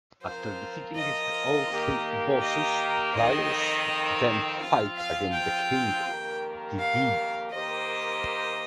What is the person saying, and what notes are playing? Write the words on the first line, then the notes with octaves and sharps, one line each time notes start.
After defeating all three bosses, players then fight against King Dedede.
F3 C4 F4 A#4 C5
D#5
D#3 A#3 G4
D#5
F2 D#3 C4 D#5
F3 C4 F4 F5
F5
G5
F2 D#3 A#3 G4 A#4
F5
D#3 A#3 G4 C5 D#5